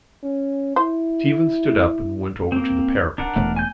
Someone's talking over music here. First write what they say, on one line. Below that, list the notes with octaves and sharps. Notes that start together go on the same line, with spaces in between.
Stephen stood up and went over to the parapet.
C#4
E4 C5
A#3 C4
D4 A#4 F#5
E1 B2 A3
G#5 G6